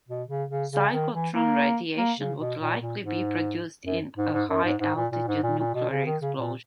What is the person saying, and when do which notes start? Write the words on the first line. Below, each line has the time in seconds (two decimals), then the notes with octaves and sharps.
Cyclotron radiation would likely be produced in a high altitude nuclear explosion.
0.08 B2
0.29 C#3
0.50 C#3
0.71 C#3
0.93 D#3
1.14 E3
1.34 A#3
1.97 A#3
2.19 C#3
2.39 B2
2.60 A#2
2.81 A#2
3.02 G#2
3.86 F#2
4.17 G#2
4.33 G#2
4.49 F#2
4.64 G#2
4.80 G#2
4.96 A#2
5.12 A#2
5.28 G#2
5.43 A#2
5.59 A#2
5.74 B2
5.90 C#3
6.06 D#3
6.22 C#3
6.38 A#2